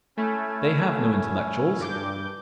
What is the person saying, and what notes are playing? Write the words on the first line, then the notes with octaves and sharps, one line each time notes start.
They have no intellectuals....
A3 C#4 E4 G#5
G2 D6 G6